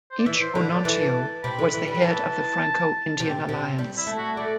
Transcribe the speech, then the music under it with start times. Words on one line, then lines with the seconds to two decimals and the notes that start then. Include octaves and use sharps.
Each Onontio was the head of the Franco-Indian alliance.
0.11 C5
0.19 D5
0.26 E3 E5
0.41 C5
0.55 D3 B4
0.71 D5
0.85 E3 A5
1.43 C3 B5
1.59 D3
1.73 E3
1.88 G3
1.92 F#3 B5
2.02 E3 A5
3.20 C3
3.49 C3
3.78 G3
3.97 E4
4.07 A3
4.17 F#4
4.37 A3 D5